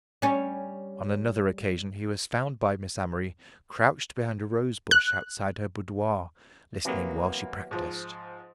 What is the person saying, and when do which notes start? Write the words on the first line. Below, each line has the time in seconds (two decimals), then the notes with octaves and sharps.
On another occasion he was found by Miss Amory crouched behind a rose bush outside her boudoir, listening whilst she practised.
0.22 G3 C#4
4.91 F#6
6.85 C3 E3 F#3 A#3 B3
7.71 G#2 F3